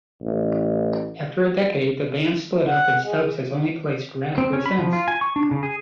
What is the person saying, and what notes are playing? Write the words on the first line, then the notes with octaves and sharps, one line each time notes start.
After a decade, the band split up and Stubbs has only played sporadically since.
A1
F#5
G#3
C4
C#4
B5
F3
F4
G#5
C#6
D4
C#3
G#4